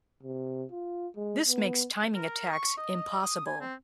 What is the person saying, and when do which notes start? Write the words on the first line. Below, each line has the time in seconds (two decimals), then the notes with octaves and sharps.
This makes timing attacks impossible.
0.23 C3
0.72 F4
1.16 G#3
1.48 B3
2.15 A#4
2.52 C#6
2.77 D#5
3.22 D#6
3.46 G#5
3.61 C4